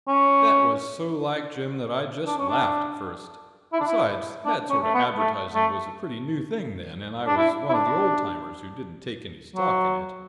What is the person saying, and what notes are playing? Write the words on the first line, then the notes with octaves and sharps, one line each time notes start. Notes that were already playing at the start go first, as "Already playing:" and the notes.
That was so like Jim that I just laughed at first; besides, that sort of advertising was a pretty new thing then, and I was one of the old-timers who didn't take any stock in it.
C#4
D4
C#4
D4
E4
D4
E4
D4
C#4
A3
B3
A3
A3
D4
E4
E4
D4
F#3